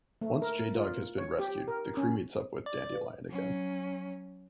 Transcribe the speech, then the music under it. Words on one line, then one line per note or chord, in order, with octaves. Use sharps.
Once J Dawg has been rescued the crew meets up with Dandelion again.
A3
A#4
F4
C#5
G4
A#4
C#4
D5
B4 F5
F#3 C#4